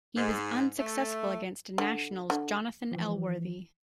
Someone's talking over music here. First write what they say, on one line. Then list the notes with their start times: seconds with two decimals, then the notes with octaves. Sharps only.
He was unsuccessful against National's Jonathan Elworthy.
0.16 G#2
0.78 A3
1.78 D3
2.30 D3
2.92 E3 F3